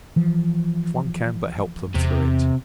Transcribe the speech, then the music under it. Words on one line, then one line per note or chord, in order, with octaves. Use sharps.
If one can but help them through it!
E3 F3
E2 C3